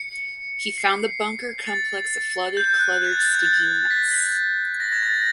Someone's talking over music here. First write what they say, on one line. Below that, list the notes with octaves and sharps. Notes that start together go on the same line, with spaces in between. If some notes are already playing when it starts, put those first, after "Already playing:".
He found the bunker complex a flooded, cluttered, stinking mess.
Already playing: C#7
C7
A6
G6
F#6
G#6
A6
G#6
A6
A6
B6
A#6
G#6
A6
A#6